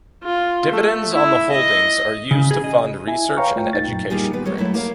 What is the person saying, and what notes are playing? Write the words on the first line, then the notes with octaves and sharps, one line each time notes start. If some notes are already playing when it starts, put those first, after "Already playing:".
Dividends on the holdings are used to fund research and education grants.
F4
A3
E4
D#5
C#3
G#4
D#5
E4 G#5
B4 C#5 F5 G5 A#5 C#6
A3 F4 G5
C2 D#4 A6
F#2 A#2
D#3 G3 A#3 D#4 F4 G#4
B3 B4
G3 G#3 A#4 C#5
F#3 A3 E4
A#3 A#4 C#5 F5